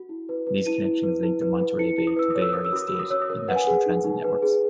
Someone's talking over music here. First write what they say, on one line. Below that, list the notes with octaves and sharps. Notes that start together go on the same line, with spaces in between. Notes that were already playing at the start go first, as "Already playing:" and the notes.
These connections link the Monterey Bay to Bay Area, state, and national transit networks.
Already playing: F#4
E4
B4
B4
E4 D#7
E4
B4
E4
B4
B4
E4 C#7
E4
D#6
B4 E6
D#6
C#5
E6
A#4 D#6
E6
F#4 D#6
F#4 E6
D#6
C#5 E6
D#6
A#4
B4 F#5
G#5
G#4 F#5
D#4
D#4
B4
G#4